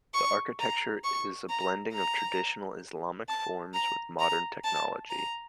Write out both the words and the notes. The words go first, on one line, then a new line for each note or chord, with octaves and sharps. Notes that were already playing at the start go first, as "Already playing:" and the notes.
The architecture is a blending of traditional Islamic forms with modern technology.
C#6
A#5
C#6
A#5
A#5
A5
A#5
A#5
A5
A#5